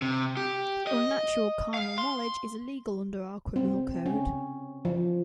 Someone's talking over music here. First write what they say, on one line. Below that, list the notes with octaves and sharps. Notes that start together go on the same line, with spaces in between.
Unnatural carnal knowledge is illegal under our criminal code.
C3
G4
D#5
F5
C6
C4
C#4
F3